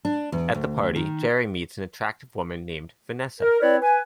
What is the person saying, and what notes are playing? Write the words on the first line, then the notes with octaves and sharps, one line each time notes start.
At the party, Jerry meets an attractive woman named Vanessa.
D4
E2
D2
D#3
A#4
C4 E4 B4 C#5 D5
B4 G#5